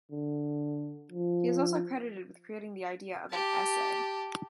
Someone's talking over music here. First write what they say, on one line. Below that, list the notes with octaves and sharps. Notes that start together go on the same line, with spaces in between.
He is also credited with creating the idea of an "essay".
D3
F3
G4 A5